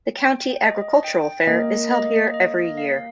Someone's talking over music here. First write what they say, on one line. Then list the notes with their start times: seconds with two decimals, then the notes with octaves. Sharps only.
The county agricultural fair is held here every year.
0.17 G5
0.61 D#5
1.04 G5
1.47 A#3 D#5
1.91 D#5
2.34 D#5
2.77 F5